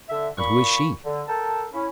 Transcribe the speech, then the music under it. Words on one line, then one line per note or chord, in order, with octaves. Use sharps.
"And who is she?"
D3 E5
A#2 B5 C#6
D3
A4 A#4 G5 A5
C#4 E4